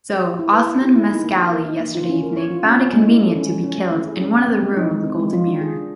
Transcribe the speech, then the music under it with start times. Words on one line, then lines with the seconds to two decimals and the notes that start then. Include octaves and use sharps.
So, Osman Mascali yesterday evening found it convenient to get killed in one of the room of the Golden Mirror.
0.25 G4
0.39 E4
0.53 B4
0.67 E4
0.82 G4
0.96 E4
1.10 D#4
1.24 A#3
1.38 F#4
1.52 A#4
1.66 D#4
1.80 A#3
1.95 F4
2.09 C#4
2.23 A#4
2.37 C#5
2.51 F4
2.65 C#4
2.79 C#4
2.93 G#3
3.07 E4
3.22 A4
3.36 C#4
3.49 G#3
3.64 C#4
3.78 A3
3.92 E4
4.06 G#4
4.21 C#4
4.34 A3
4.48 C4
4.63 G#3
4.77 D#4
4.91 G#3
5.05 C4
5.19 G#3
5.33 F4
5.47 D4
5.61 G#4
5.76 D4